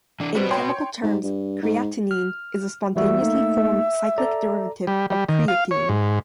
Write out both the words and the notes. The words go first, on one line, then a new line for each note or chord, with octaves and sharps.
In chemical terms, creatinine is a spontaneously formed cyclic derivative of creatine.
E3 D4
G3 C4 F#4 B4
C#5 G5 C6
G#2
G2
G#2
F6
E3 G3 F#4 E5
A3 A#3 D#4
A4 D5 A#5
G3
G3
D#3
F5
C#5
G#2